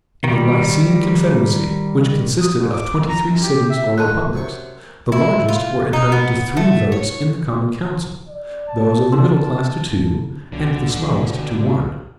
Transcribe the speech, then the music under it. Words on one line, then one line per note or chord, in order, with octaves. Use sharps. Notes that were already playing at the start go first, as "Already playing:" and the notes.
In the Lycian confederacy, which consisted of twenty-three CITIES or republics, the largest were entitled to THREE votes in the COMMON COUNCIL, those of the middle class to TWO, and the smallest to ONE.
D#3 G3
D#6
G#2
D6
F2
A#5
F#2
G4
E5
D3 A#3 D#4 A5 F#6
F#2 C3 C#6
E4
F4
D#4
B3
A3
C#5
D5
A5
D#4 A#4 C6
B1 D3